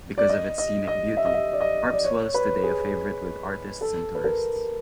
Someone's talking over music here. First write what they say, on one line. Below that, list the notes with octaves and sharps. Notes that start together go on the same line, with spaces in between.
Because of its scenic beauty, Harpswell is today a favorite with artists and tourists.
D5
D#5
D#5
D#5
E5
D#5
E5
D5
D#5
D5
C#5
B4
G#4
A4
B4
A#4